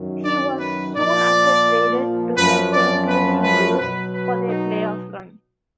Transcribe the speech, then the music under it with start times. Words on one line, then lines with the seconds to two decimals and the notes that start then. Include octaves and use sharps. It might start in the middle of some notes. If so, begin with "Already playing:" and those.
He was soon after traded to the Saint Louis Blues for their playoff run.
Already playing: F#2 D#3 F#3
0.24 D5
0.60 B4
0.94 A#2 F3 D5
2.36 F#2 F3 B4
2.72 D5
3.07 B4
3.43 B4
3.78 B2 F#3 B4
4.13 B4
4.49 D#4